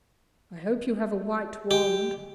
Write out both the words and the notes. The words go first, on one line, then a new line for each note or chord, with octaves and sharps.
I hope you have a white wand.'
G4